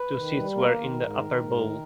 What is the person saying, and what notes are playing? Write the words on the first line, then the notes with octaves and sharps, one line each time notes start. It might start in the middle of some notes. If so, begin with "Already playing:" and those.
Two seats were in the upper bowl.
Already playing: B4
D#3
G3
A#3 A#4
D#3
G#2
D#3
G#2
D#3